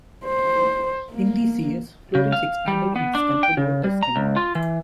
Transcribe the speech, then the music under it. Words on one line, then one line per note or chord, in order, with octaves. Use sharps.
In these years Florence expanded its control over Tuscany.
C5
A#3
C#3
F5
G3
B3
D4
G5
C#3
G3
A#5
C#2
F4
E3